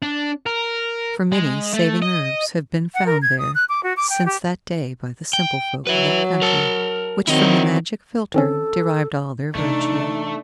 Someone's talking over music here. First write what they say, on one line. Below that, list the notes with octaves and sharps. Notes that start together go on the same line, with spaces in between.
For many saving herbs have been found there since that day by the simple folk of that country, which from the magic philtre derived all their virtue.
D4
A#4
G#3
A3
D#5
F#5
A#4
G#6
D#6
F#6
D6
F#4
D6
G5
G4
G5
F#3 B4 E5
A#4 A5
D#3 F#3 C4 E4 D#5
D#3 C4 C#4 A4
C3 E3 A3 D4 D#4